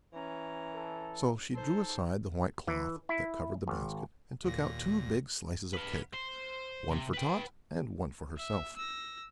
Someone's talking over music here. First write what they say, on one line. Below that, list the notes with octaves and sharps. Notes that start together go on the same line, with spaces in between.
So she drew aside the white cloth that covered the basket and took out two big slices of cake, one for Tot and one for herself.
E3 C#4 A#5
A4
D#4 A4 C5
E3
E4
G#1
D#2 A#2 A#6
B4 F5
C5
C3
B4 G5
E5
E6 A#6